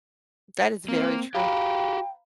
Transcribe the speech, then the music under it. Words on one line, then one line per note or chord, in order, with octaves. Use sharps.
That is very true.
A#3 C4
F#4 G4 F5 G5 A#5 B5